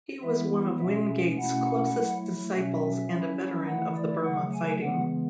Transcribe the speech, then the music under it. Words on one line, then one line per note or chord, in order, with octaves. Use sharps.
He was one of Wingate's closest disciples and a veteran of the Burma fighting.
E3 G#3 B3 E4 E5
B2 G#3 C#4 E5
B2 A3 C#4 E4 F#5
F#3 A3 E4
B2 F#3 C#4 E5
F#3 C#4 E4
E3 A3 E4 F#5
D5
C#3 F#3 A3 F#5
G#5
C#3 E3 G#3 B3 F#5